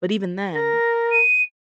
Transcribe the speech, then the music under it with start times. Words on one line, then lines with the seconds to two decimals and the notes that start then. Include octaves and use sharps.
But even then,
0.55 A#4 A#6
1.11 D#7